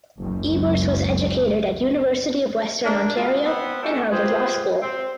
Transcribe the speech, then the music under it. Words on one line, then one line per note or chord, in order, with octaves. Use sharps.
Eberts was educated at University of Western Ontario and Harvard Law School.
F#1 C#2 F#2
A#3 D4
B2 E3 G#3 A#3 F4
B3 C4
A3 C#4 D4 F#4 G4 A4
F4 G4 G#4 B4 C5
C4